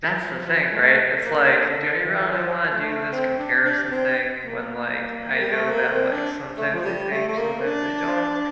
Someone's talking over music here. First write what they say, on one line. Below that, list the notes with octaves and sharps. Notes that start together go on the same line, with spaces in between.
That's the thing, right? It's like, do I really wanna do this comparison thing when, like, I know that, like, sometimes they thank, sometimes they don't?
E3
F3
F3
A3
A#3
D3
D3
E3
F3
A3
C4
D4
D4
C4
A#3
G3
A3
A#3
C4
D4
A3
F3
G3
A3
A3
A#3
C4
D4